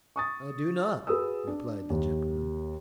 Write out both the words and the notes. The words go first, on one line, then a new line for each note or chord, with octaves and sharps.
"I do not!" replied the gentleman.
C#6 D#6 A6
F#4 G#4 B4 D#6 E6
D4
D#2